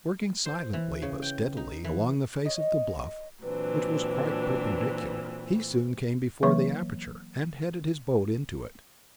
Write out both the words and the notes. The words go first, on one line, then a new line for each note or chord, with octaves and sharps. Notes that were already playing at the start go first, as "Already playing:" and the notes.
Working silently but steadily along the face of the bluff, which was quite perpendicular, he soon came before the aperture, and headed his boat into it.
C5
E3
C#3
G5
D#4
E3
C#5 D#5
A#2 E3 F#3 C4 D4 B4
E3 F#3 A#3 C#5 C#6